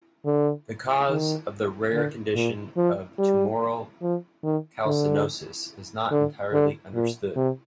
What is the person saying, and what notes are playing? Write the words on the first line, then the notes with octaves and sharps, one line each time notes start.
The cause of the rare condition of tumoral calcinosis is not entirely understood.
D3
D#3
D3
A#2
F3
G3
F3
D#3
D3
D3
D3
A#2
C3